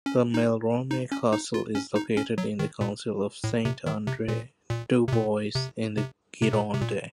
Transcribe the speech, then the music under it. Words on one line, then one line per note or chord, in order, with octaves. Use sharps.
The Malromé Castle is located in the council of Saint-André-du-Bois, in the Gironde.
C#4
D#4
D#4
C#4
D#4
F4
C#4
D#4
C#4
F#3
D#3
A#2
A2
C3
D#3
C3
A#2
A#2
C3
A#2
C3
C3
C3
A#2
C3
A#2